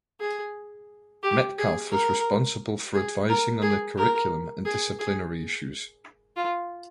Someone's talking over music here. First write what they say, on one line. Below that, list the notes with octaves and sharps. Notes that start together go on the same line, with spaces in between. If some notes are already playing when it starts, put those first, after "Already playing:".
Metcalfe was responsible for advising on the curriculum and disciplinary issues.
G#4
G4
G#4
A#4
G#4
A#4
G#4
A#4
G#4
G#4
F4